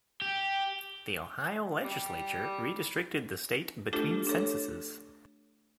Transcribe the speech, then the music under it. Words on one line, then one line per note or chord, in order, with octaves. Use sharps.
The Ohio Legislature redistricted the state between censuses.
G4
G3
A3 D4 F4 G4 A4
D4 A4 C#5